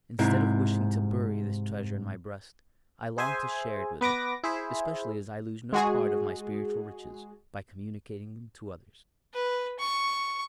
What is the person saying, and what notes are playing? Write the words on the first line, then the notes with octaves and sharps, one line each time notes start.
Instead of wishing to bury this treasure in my breast, I long to share it with you, especially as I lose no part of my spiritual riches by communicating them to others.
G#2 C3 E4
G#4 C5 E5 G#5
B3 B4 D6 A#6
E4 G#4 C5 E5
G#3 F#4 G#4
B4
C#6